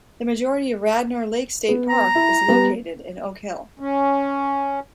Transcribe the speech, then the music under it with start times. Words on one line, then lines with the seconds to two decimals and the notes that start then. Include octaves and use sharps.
The majority of Radnor Lake State Park is located in Oak Hill.
1.69 B3
1.89 A#5
2.15 E4
2.48 G3 B3
3.79 C#4